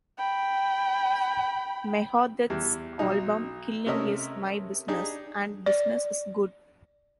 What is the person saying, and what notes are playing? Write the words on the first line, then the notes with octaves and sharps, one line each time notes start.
Megadeth's album Killing Is My Business...And Business Is Good!
G5 B5
E2 G3
B1 F#3 D#4
C3 A3 C#4 A#4 D#5 E5
D4 D#4 G4 G#4
D5